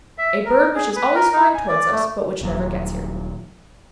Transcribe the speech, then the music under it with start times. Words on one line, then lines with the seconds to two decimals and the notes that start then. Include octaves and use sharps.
A bird which is always flying towards us but which never gets here.
0.18 E5
0.46 A#4
0.75 G#4
0.96 B4
1.15 A#4
1.33 D#4
1.55 G#5
1.68 D5
1.91 A3
2.41 D#1 D#2 F#3